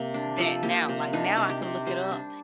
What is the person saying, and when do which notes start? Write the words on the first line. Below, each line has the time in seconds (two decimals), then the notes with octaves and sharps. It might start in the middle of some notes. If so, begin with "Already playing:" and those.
that now. Like, now I can look it up
Already playing: C3 A#3
0.14 D4
0.38 F3 A4
0.63 A#3 G4
0.89 C3
1.13 D4 D#4
1.38 C3
1.50 G4
1.62 C3
1.87 G3 C5
2.12 D4